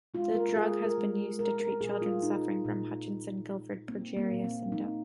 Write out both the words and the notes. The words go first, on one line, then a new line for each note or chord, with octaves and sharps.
The drug has been used to treat children suffering from Hutchinson-Gilford progeria syndrome.
G#3 F4
A#4
F4
G#3 G#4
A#4
G#3
A#2 A#4
A#4
A#2 G#4
F4
A#2 D#4
A#2
A#2
F3
A#3 C4
A#3
A#2
C4
F3 D#4